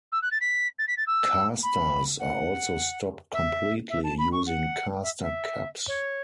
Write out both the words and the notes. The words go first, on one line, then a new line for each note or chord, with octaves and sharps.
Casters are also stopped completely using caster cups.
E6
F#6
A6
B6
A6
B6
A6
E6
B5
F#5
E5
E5
A5
B5
C#6
F#5
E5
E5
C#5